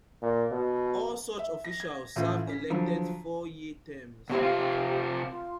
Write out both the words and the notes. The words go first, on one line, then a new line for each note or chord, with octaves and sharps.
All such officials serve elected four-year terms.
A#2
B2
E5
A#6
G#6
A2 E3 C#4 F4
C#4 B6
D3 F3 F#3
B2 C4 E4 G4
C3 F4
F4